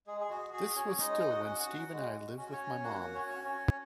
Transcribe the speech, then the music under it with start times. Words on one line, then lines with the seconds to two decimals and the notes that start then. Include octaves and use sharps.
This was still when Steve and I lived with my mom.
0.07 G#3 G#4
0.21 G#4
0.30 F#4
0.53 F#4 G#4
0.76 C#4 C#5
0.94 C#5
0.99 G#3 D#4 D#5
1.30 F#4 F#5
1.46 C#4 F#4
1.60 F#4 F#5
1.92 G#3
2.37 C#4 F#4
2.52 C#4 C#5
2.84 A#3 F#4 F#5
3.14 C#4 C#5
3.29 C#4 F#4
3.45 C#4 C#5